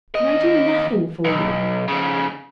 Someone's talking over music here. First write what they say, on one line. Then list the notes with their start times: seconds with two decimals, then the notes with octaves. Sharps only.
Can I do nothing for you?'
0.15 D#2 D#5
1.25 B1
1.88 F2 C#3